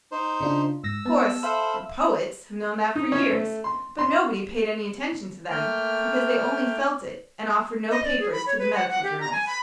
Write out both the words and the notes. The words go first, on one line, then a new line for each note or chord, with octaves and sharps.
Of course, the poets have known that for years, but nobody paid any attention to them because they only felt it and offered no papers to the medical journals.
D#4 C5
C#3 D4 F4
G#2 E6 A#6
B3 A5
A4 C5 E5 F5 B5 E6
D#4
C#4
A3
C6
C6
A3 A#3 G5 F6
D#5
D5
G#4
B5
C#5
B4
F#5
F#5
G4
A#5
G#5
B5